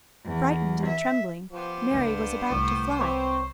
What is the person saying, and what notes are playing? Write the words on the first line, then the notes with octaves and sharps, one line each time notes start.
Frightened and trembling, Mary was about to fly.
E2
E5
F3 B3 G4 C5
C#2 G2 C#3
C2 A2
C4 B4 C#5